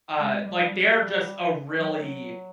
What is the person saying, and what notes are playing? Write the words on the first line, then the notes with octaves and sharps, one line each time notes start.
uh, like, they're just a really
G#3
G3
G3
F#3